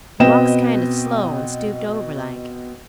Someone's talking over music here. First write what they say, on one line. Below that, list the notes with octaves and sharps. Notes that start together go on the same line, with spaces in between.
"He walks kind of slow and stooped over, like."
B2 C4 B4 D#5 G5 E7